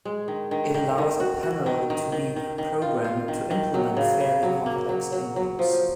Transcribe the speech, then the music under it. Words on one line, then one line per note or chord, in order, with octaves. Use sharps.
It allows a panel to be programmed to implement fairly complex inputs.
G#3
D#3
D#3
D#3
D#3
F#4
F#4
D#3
D#3
D#3
D#3
D#3
F4
F4
D#3
D#3
F#3
C#3
C#3
F#3
A#3
F#3
F#3
F#3
F3